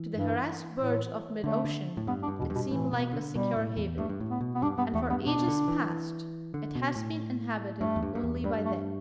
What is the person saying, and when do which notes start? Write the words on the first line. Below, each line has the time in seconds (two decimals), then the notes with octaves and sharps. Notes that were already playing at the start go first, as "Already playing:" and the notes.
To the harassed birds of mid-ocean, it seemed like a secure haven, and for ages past it has been inhabited only by them.
Already playing: E3
0.15 G2
0.80 A2
1.43 D3 A3
1.64 D3
1.97 A2
2.07 G2 B3
2.23 D4
2.28 G2
2.39 B2
2.42 E2
2.50 G2
2.56 B2
2.71 A2 E3
2.93 B2
3.13 D3
3.35 B2 G3
3.56 A2
3.77 E2
3.98 G2 A3
4.09 G2
4.20 A2
4.30 B3
4.41 B2
4.55 B3
4.62 G2 D4
4.78 G2 B3
4.94 E2 A3
5.10 G2 B3
5.27 B2 D4
5.39 B2
5.48 D3
5.68 E3
6.54 D3
6.75 B2
6.96 A2
7.80 G2 A3
7.96 E2
8.03 G2
8.15 G2
8.23 E2
8.44 G2 G3
8.66 A3